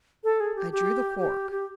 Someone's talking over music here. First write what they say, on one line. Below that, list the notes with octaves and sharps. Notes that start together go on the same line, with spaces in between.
I drew the cork.
A4
G#4
G4
G4
G4
G4